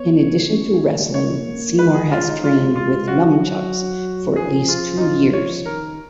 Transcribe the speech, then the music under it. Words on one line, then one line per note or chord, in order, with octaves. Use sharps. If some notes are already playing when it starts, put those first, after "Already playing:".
In addition to wrestling, Seymour has trained with nunchucks for at least two years.
Already playing: B3 C#5
C#4
A#3
A#3 C#5
G#3 B4
G#4
F4
D#4
F4
F4
F#3 F#4
F3 G#4
F4
D#4
F3 F4
C#5
D#3 A#4